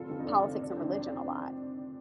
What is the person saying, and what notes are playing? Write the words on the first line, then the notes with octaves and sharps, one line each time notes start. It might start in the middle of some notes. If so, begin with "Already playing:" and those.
politics and religion a lot,
Already playing: F1 F4 A4
F2 D#3
D#4
F1 D4 F4
F2 D#3 D4
F1 D4
D4
F2 D#3 C4
D4